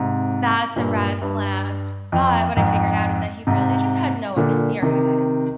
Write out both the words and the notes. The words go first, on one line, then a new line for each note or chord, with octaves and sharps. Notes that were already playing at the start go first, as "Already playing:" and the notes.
that's a red flag." But, what I figured out is that he really just had no experience.
Already playing: G#2 C3
G2 A#2
G2
F2
F2 G#2
G#2 C3
A#2 D3
C3 D#3